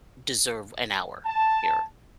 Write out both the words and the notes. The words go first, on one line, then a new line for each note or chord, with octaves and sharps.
deserve an hour, here
A5